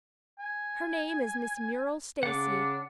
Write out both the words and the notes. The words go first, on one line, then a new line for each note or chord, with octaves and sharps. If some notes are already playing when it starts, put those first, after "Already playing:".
Her name is Miss Muriel Stacy.
G#5
C#3 D4 F#5 D6